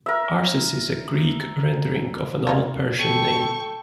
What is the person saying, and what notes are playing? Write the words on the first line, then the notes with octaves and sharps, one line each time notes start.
Arses is a Greek rendering of an old Persian name.
A#4 E5
A#3 D#4 F4
A4 G5 C#6